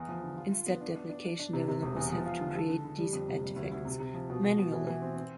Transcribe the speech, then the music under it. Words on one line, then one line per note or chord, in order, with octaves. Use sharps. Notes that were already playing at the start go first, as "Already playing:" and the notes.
Instead the application developers have to create these artifacts manually.
Already playing: E2
F3
D3
F4
F4
B3
D4
D4
D4
D4
D4
C3
C3
E1
E2
F3
F4
D3
A4
D3
D3
G3
F2
C3
G3
D2
D2
C3
C3
F3
B2
B2
B2
E3
E3
C4
C4